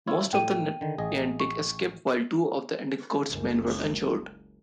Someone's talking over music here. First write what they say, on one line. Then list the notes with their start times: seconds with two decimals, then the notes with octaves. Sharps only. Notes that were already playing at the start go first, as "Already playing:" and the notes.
Most of the Niantic escaped, while two of Endecott's men were injured.
0.07 E4 F4 C#5
0.33 A2 G5 D#7
0.81 D3 D#3
0.98 A1 G#4 D#5
1.40 C#6
3.28 F#1 C#2 F#2